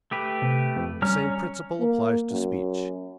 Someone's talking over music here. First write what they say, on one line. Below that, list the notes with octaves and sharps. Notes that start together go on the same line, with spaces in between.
The same principle applies to speech.
A3 G4 B4
C3
F2
G3 C#4 A#5 F6
A#3
F#2